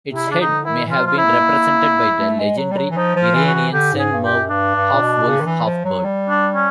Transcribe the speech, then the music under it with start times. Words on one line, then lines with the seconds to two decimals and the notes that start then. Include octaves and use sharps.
Its head may have been represented by the legendary Iranian senmurv - half-wolf, half-bird.
0.08 C3
0.15 E4
0.28 C#3 D4
0.41 C#3 D#4
0.47 D3
0.65 D#3 E4
0.86 E3
0.91 F4
0.98 F#3
1.04 F3 F4
1.18 E4
1.24 A#3
2.19 A3
2.39 G#3
2.58 F#3
2.71 G3
2.77 F#3
2.90 E3
2.96 F3 D#4
3.16 F3
3.23 F4
3.34 E3
3.48 F#4
3.54 E3
3.73 D3 G4
3.93 G#2
3.99 G#4
4.12 G2
4.25 G4
4.31 F#2
4.50 G2 D4
4.75 G2
4.93 A#2
5.01 B2
5.27 C#3
5.40 D#3
5.46 E3
5.65 F3
5.85 F#3
6.04 G3
6.29 D4
6.55 C#4